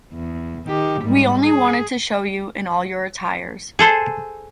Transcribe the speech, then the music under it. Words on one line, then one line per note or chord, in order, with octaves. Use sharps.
We only wanted to show you in all your attires.
E2
D#3 G4
G#2 G3
G#4
G#4 A4 C5